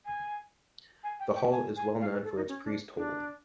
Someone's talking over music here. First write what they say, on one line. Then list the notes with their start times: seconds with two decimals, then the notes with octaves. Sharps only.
The hall is well known for its priest hole.
0.05 G#5
1.04 G#5
1.20 G5
1.35 G5
1.51 G#5
1.76 G#5
2.01 F5
2.13 B4
2.24 A4
2.36 D#4
2.48 C#4
2.64 D4
2.97 D4